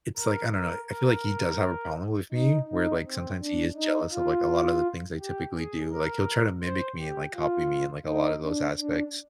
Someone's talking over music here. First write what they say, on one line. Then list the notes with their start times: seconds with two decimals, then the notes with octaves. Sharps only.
it's like I don't know, I feel like he does have a problem with me where, like, sometimes he is jealous of, like, a lotta the things I typically do, like, he'll try to mimic me and, like, copy me in, like, a lotta those aspects.
0.17 A#4
0.53 A#4
0.89 A#4
2.32 D#4
2.68 D#4
3.04 C4
3.40 D4
3.75 D#4
4.12 F4
5.19 G4
5.54 G#4
5.91 A#4
6.62 C5
6.98 G4
7.34 F4
8.06 D#4
8.41 D4
8.78 D4